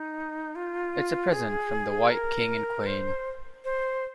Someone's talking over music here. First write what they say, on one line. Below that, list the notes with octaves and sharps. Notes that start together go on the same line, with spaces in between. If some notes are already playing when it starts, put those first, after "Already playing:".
It’s a present from the White King and Queen.
Already playing: D#4
F4
G#4
A#4
C5
C5